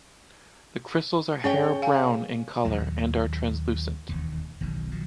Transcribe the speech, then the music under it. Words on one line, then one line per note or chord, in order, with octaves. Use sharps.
The crystals are hair-brown in color and are translucent.
C#4 G#4 C#5 G5
F5 G#5
D#2 A#2 F#3
E1 D#2
E1 B1 B2 D#3
D#3 F3 F#3